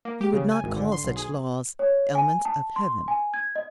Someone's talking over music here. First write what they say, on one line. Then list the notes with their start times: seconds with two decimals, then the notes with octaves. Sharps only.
You would not call such laws elements of heaven.
0.05 A#3
0.21 G4
0.33 C#3
0.52 G#5
0.63 G#1
0.76 D3
0.92 C6
1.04 B1
1.16 G#4
1.79 C#5
2.15 G#5
2.45 A5
2.76 C6
3.08 G#5
3.34 G#6
3.56 D#5